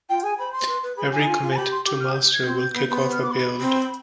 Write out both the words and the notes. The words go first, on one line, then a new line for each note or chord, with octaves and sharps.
Every commit to master will kick off a build.
F4 G5
G#4 G#5
C5 B5
C6
B4
B4
G#4 B5
G4
D#4 G#5
F4
F4
G#5
G4 B5
C6
G4 D6
F6
G6
G#6
C4 G6
B3 G6
B3
F6
D6
B5
C4